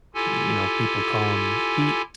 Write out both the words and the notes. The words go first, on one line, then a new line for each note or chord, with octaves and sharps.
you know, people call 'em peaks,
E4 F4 G4 A4 G#5